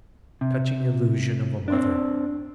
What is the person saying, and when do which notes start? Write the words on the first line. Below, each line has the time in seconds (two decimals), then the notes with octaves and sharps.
Touching illusion of a mother!
0.41 C3
1.68 C4 D4